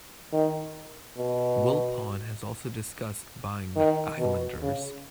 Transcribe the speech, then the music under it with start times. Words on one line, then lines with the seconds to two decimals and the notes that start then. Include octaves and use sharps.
Wilpon has also discussed buying the Islanders.
0.32 D#3
1.18 B2
3.76 D#3
4.19 B2
4.62 C#3